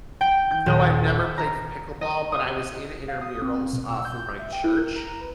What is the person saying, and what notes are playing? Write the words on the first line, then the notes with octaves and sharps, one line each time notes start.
No, I've never played f pickleball, but I was in intermurals, uh, for my church,
G5
G6
D#1
E5
A#5
D#5
D#6
F5
D#6
C4
B2
E6
G6
E5
G5
E4
A#4
A#5
B4